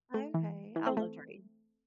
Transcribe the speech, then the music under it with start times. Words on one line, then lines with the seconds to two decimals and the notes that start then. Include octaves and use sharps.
Okay. I love to read.
0.14 A3
0.34 E3
0.76 E3
0.87 C4
0.97 A3